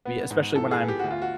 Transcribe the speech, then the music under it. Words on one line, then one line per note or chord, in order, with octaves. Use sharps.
be, especially when I'm
B3
G#2
E3 A4
G#4
B3
G4
D2 F#4
F4
F#4